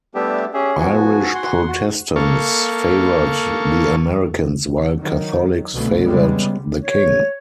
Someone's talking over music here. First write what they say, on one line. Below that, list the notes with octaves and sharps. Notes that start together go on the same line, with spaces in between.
Irish Protestants favored the Americans, while Catholics favored the King.
G3 A3 B3 D4 G4 E5
C#4 G4 G#4 E5
F3 B3 F#4 G#5
F#5 C6
F#4
A#3 A4 F5 C#6
D#3 F#3
C2 B2 D3 A3
C#3 G3 G#3 B3
C#5